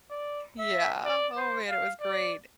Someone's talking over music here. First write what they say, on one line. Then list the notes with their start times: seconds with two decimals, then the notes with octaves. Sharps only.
Yeah. Oh, man, it was great.
0.10 D5
0.59 E5
1.05 D5
1.36 C5
1.69 F5
2.01 D5